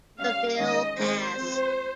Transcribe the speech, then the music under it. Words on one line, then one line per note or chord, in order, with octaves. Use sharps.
The bill passed.
G3 C#4 F5
D#3 G#3 C#4 D#5
D#3 G#3 C4 C5
F3 C4